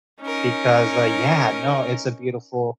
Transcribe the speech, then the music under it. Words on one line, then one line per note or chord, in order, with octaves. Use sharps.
because, uh, yeah, no, it's a beautiful
C#4 D#4 A#4